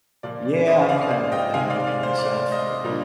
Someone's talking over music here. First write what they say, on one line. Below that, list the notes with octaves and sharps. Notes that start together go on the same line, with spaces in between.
Yeah, I'm kind of at that point myself, but
A#2 F3 A#3 D5
D5
C5 D#5
D5 F5
D5 F5
D#5 G5
C3 D#3 G#3 C4 F5 G#5
D5 F5
D5 F5
C5
D5
C5 D#5
A#2 G3 A#3 D4